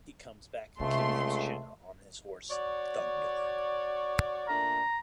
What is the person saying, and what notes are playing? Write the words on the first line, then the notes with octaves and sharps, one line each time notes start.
He comes back and kidnaps Jenna on his horse, Thunder.
C#2 C3 A3 C6
F#4 C#5 D5
A#2 A3 D4 A#5